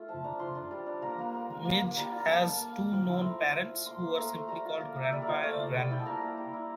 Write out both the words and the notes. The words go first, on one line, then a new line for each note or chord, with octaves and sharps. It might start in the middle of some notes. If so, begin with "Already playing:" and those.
Midge has two known parents who are simply called "Grandpa" and "Grandma".
Already playing: A3 F4
F3 A5
D4 A#5
F3 C6
D4
G3
D4
A#3 A#5
A#3
A#3
A#3
A#3
A#3
G3 A#5
F4
A#5
A#3 A5
A#3
A#3
A#3
F3 G5
E4
C6
A3 A#5
F4
F3
F4
A#3 C6
A#3
A3 A#5
A3
G3 A#5
F4
A#3
A#3
E5
G3 D5
A#4
F4 C5
A3 D5
F4
G3
E4 G5
A5
A#3 A#5
A#3
G3
E4